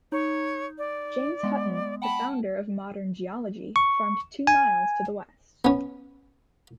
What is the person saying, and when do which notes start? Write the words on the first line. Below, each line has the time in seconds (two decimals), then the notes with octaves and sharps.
James Hutton, the founder of modern geology, farmed two miles to the west.
0.12 D#4 C#5
0.78 D5
1.43 G#3 B3
2.02 F#5 G5 A5 B5
3.76 C#6
4.47 G#5
5.65 B3 C#4